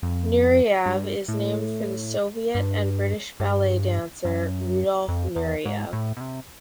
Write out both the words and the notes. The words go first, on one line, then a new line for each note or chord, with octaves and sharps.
Nureyev is named for the Soviet and British ballet dancer Rudolf Nureyev.
F2
G2
A2
G2
G2
F#2
F2
E2
G#2
A2
B2
C3